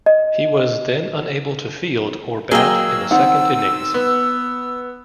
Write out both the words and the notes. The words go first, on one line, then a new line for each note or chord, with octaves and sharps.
He was then unable to field, or bat in the second innings.
D#5
F#3 A#3 G#4 D#5 G5 E6
D#3 C4 F#5
B3